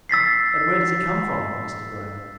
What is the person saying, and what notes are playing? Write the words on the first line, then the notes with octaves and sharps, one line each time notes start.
"And where does he come from?" asked Debray.
E6 A6 B6 C7